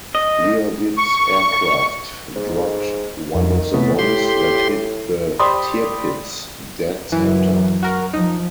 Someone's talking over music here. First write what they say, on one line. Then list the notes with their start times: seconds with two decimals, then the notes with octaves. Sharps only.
Leavitt's aircraft dropped one of the bombs that hit the "Tirpitz" dead centre.
0.15 D#5
0.98 C#6
2.36 G#2
3.35 F2 D#3
3.74 A2 C3 A3 B3
3.99 G4 C6
5.39 G4 C5 D5 B5 C6 D#6
7.12 F#2 E3
7.83 F#4 A#4
8.13 F3 D#4